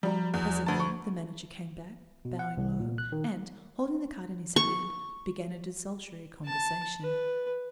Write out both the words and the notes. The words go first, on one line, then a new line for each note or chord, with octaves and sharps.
Presently the manager came back, bowing low, and, holding the card in his hand, began a desultory conversation.
F3 G3 F#4 A#5
E2
D2 A5
C#6
B2
F#5
C2
A#2
F#6
D#3
C#6
A5
B4